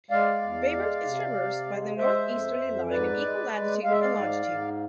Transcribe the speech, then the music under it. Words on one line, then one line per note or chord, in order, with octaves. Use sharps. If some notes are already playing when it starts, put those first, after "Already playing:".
Bayburt is traversed by the northeasterly line of equal latitude and longitude.
G#3 D5 F5
E2
G#3
C3
C3
G#3
G#3 C5 E5
F2
F2
G#2 B4 D5
G#3
G#3
G#3 F5
E5
D5 F5
G#2
G#2